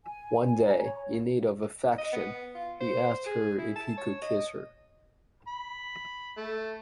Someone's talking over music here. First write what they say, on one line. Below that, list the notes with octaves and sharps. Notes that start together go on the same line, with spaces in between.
One day, in need of affection, he asked her if he could kiss her.
G#5
G#5
A#5
C#5
D#5
B3
F4
C5
G#4
E4
A5
C#5
D#5
B5
A3